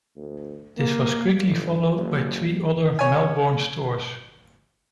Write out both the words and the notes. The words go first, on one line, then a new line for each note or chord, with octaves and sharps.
This was quickly followed by three other Melbourne stores.
D2
A#3
G1
F#1
C#5 G#5